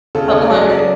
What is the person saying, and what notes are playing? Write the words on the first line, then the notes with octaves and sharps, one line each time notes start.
couple hundred.
C#3 A4
C#3 C#5
D5
F#3
D#5
F#3 D5